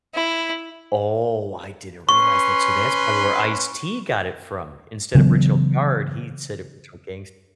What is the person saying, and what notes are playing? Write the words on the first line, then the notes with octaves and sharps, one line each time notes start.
Oh, I didn't realize that. So that's probably where Ice-T got it from. Instead of Original Guard, he'd said Original Gangster.
E4
C#4 B4 C6 C#6
C#3 E3 F#3 B3